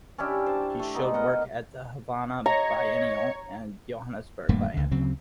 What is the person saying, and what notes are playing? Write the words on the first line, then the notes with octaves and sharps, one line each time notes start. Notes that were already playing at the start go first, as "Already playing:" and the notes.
He showed work at the Havana Biennial and Johannesburg Biennial.
C#4 D4 E4 G4
C5 A5
A3
G#3 B3 D#4
A#4 D#5 F#5
C#5 D#5 A#5
D#1 G2 A3 A#3
C#2 D3
D2 C#3 F#3 C4